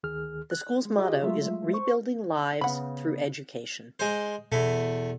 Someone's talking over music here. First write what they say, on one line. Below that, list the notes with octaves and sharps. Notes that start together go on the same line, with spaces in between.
The school's motto is Rebuilding Lives Through Education.
D2 D#3 G#4 F6
F#6
G#3
F4 G4 G#4 D#5
F#3 G#3 A3 F4 E5
C5 C#6
C#3 B3 F#5 B5
G#3 C5
E2 B2 A3